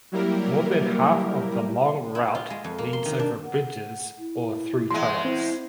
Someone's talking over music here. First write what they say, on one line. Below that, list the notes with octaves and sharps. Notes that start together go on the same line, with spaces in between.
More than half of the long route leads over bridges or through tunnels.
F#3 G3 A#3 E4 G4 A#4
E4
F4
G#3
F2
A#3
C6
D#3
D4
F#5
E4
E2 G#3 C6
C4 E4